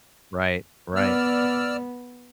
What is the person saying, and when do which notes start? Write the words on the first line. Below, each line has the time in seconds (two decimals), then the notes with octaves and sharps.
Right, right.
0.96 B3 D5 E6 F6